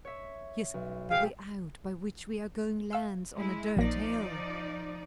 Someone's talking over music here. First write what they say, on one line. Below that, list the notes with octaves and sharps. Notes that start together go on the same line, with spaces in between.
"Yes; the way out by which we are going lands on a dirt hill."
C#5 E5
B1
G#4 E5 F5 G5
F5 E6
G#3 E4
A#1 F3 A#3 D#4 D5 A#6